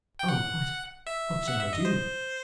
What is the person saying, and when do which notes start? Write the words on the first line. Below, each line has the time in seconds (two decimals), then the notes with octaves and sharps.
Oh, what!--what shall I do?
0.19 G5
0.28 F#5
1.07 E5
1.48 F#5
1.60 E5
1.73 D#5
1.85 C5